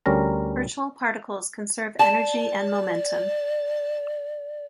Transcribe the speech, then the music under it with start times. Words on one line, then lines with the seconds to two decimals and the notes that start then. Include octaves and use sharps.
Virtual particles conserve energy and momentum.
0.06 D2 G3 C#4 A#4 A#5
1.99 D5 A5